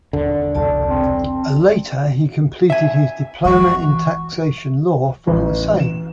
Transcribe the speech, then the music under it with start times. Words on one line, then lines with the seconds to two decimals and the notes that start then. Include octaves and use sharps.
Later he completed his diploma in taxation law from the same.
0.13 D#1 D3
0.55 E1 C2 D5 A5
0.90 C4
2.70 E5 G#5
3.45 E3 F#4
5.27 A1
5.80 E7